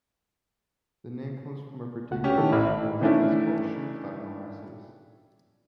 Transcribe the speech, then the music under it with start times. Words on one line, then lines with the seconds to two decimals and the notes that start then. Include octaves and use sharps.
The name comes from a particular brand of molasses, called Shoofly Molasses.
2.11 C#2 A3 F#5
2.24 C#4 G4
2.38 D#3 E4 A4
2.52 A1 E4
3.01 D#3 E3 A3 C#4 D4 E4